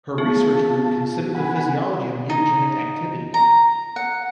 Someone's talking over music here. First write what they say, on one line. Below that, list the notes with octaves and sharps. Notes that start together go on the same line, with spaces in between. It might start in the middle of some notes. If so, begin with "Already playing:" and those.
Her research group consider the physiology of mutagenic activity.
B3 F4 G#4 A5
F#5 G#5 B5
D#4
A#5
F#5